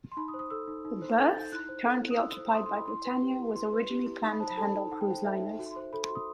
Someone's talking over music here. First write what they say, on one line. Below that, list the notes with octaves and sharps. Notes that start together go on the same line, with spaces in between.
The berth currently occupied by Britannia was originally planned to handle cruise liners.
C6
D#4 B5
D#6
C5
D#6
A4 E6
D#4
D#4
C5
A4 G6
A6
D#4
G6
E4 F#6
C5
A4
E4
D#6
E4 E6
C5
C6
A4 D#6
C6
E4
B5
E4 C6
B4
G4
E4
E4 C6
B4
G4
E4
D#4 D#6
B5
C5 A5
B5
A4 A5
D#4
D#4 F#5
G5
C5 F#5
A4 E5
D#4
F#4
C5
A4 B5
C6
F#4
D#6